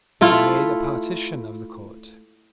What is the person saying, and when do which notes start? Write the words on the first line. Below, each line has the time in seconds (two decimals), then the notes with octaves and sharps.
They made a partition of the court.
0.21 A3 E4 F4